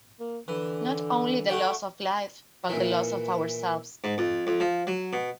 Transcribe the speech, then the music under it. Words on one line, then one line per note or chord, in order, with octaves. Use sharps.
Not only the loss of life, but the loss of ourselves.
A#3
D3 E3
A3 F#4 G5
A#2 E3
G#2
F2
F2
F3
F#3
B2